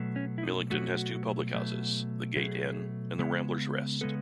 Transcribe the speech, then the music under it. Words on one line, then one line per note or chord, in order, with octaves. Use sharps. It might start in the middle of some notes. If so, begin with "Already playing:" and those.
Millington has two public houses: The Gait Inn and The Ramblers Rest.
Already playing: B2 F#3 A3
C#4
E4
D#4
B2 F#3 A3 F#4
B2 F#3 A3
B2 F#3 A3 G#4
C#3 G#3 B3
C#3 G#3 B3 A4